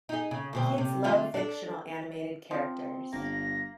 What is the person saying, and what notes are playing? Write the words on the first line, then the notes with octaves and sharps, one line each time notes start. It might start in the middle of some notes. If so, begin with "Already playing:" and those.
Kids love fictional animated characters.
D#4 G#4
C#3
D2 B2 C4
C3
D3 A3 F4
D4 A4
F3 C4
G1 A#3 A#6